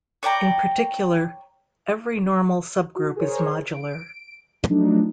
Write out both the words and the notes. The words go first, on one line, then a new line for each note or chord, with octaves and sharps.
In particular, every normal subgroup is modular.
C#5 D5 G5 A#5
F#4
G#4 A#4 C5 C#5
D7
F3 F#3 A3 D4 D#4